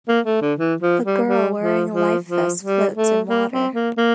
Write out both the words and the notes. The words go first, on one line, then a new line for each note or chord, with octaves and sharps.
A girl wearing a life vest floats in water.
A#3
A3
D3
E3
F3
G3
G3
F3
F3
F3
G3
A3
A#3
C4
A#3
A#3